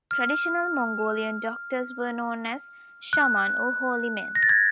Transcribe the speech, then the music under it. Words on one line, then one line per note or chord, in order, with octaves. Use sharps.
Traditional Mongolian doctors were known as shaman, or holy men.
F6
F#6
A#6
A6
G#6